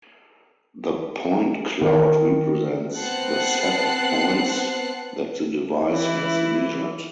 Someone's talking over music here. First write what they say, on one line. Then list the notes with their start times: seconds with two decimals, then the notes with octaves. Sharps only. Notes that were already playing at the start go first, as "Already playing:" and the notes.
The point cloud represents the set of points that the device has measured.
1.81 D#3
2.96 B3 C4 F#5 A5 F#6 C7
5.87 E3 E4